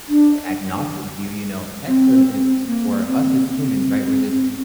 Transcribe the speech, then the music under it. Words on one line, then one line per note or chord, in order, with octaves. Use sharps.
more agnostic view, you know, pets are just for us as humans, right, we're this
D4
C4
C4
A#3
C4
C4